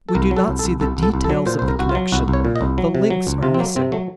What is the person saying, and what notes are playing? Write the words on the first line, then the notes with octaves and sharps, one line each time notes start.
We do not see the details of the connection; the links are missing.
A4
C2 A#4
F#3
A4
C2
A4
C2
C2 A4
C2
A4
C2
A4
F#3
A#2 C5
C2 C5
A#4
C2 F#4
F4
F#3
C2 F#4
C2
C#5
A#2
D#5
C2
F#3
C3
F#3
C#2
C3 F4
C4
F#3 A#3
C3 C4
F#3 A3